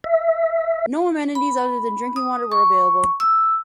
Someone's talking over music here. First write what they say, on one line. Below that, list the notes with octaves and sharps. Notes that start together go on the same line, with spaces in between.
No amenities other than drinking water were available.
E5
B5
D#6
C#6
E6